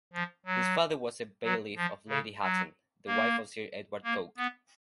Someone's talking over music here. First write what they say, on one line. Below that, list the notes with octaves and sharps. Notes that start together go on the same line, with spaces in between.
His father was a bailiff of Lady Hatton, the wife of Sir Edward Coke.
F3
F#3
F#3
F3
C#3
F#3
A#3
A#3
B3